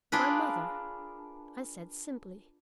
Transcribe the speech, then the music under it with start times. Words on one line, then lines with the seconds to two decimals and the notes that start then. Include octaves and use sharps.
"My mother," I said simply.
0.12 D4 F4 G#4 A#4 B4